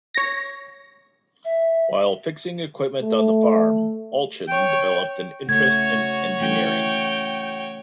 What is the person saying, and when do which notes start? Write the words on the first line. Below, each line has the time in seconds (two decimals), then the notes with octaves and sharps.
While fixing equipment on the farm, Allchin developed an interest in engineering.
0.15 C#5 A#6
1.45 E5
3.02 A3
4.48 C#5 G5
5.49 C#3 A3 F#4 C#5 G#6
6.41 E3 A3 C#4 G5